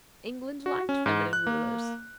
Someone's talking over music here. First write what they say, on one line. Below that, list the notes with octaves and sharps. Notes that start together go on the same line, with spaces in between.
England liked feminine rulers.
F#4
C#4
G#2
F#6
A#3